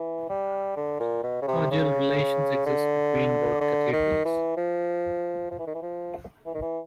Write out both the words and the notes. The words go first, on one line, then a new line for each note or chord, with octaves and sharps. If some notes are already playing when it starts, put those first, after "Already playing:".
Cordial relations exist between both cathedrals.
Already playing: E3
G3
D3
A#2
B2
C#3
C3
C#3
D3
D3
D#3
E3
F3
F3
E3
D#3
E3
F3
E3
D#3
E3